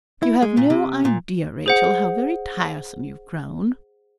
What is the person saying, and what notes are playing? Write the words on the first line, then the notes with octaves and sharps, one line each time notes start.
'You have no idea, Rachel, how very tiresome you've grown.'
E4
G#3
A#2
C3
A#2
G#4 C5 F#5